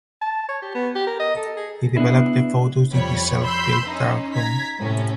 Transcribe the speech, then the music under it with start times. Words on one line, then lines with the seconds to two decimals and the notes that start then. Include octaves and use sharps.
He developed the photos in his self built darkroom.
0.22 A5
0.49 C#5
0.63 G4
0.75 B3
0.95 G4
1.07 A#4
1.20 D#5
1.36 A4
1.57 G#4
1.96 B3 D4 E4 G#4
2.93 F2 F3 G3 C#5 B5
3.43 B5 C6 E6 G6
3.87 C#4 D#4
4.34 A#5 G#6 B6
4.80 A2 C3 C#4